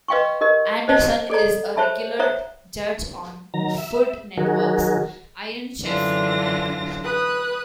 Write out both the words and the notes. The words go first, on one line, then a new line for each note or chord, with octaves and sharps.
Anderson is a regular judge on Food Network's "Iron Chef America".
B4 D#5 F5 G5 C6 C#6
G4 A#4 D#5
C5 D#5 A5
G#4 A4 D5 D#5 A#5
C5 C#5 E5 A5 B5
C5 C#5 E5 A#5 D#6
D#3 F#3 A#5
E5
D#3 F#3 F#4 G#4 A#4
F#2 D3 E3 D4 F4 A#6
B4 D#6 F#6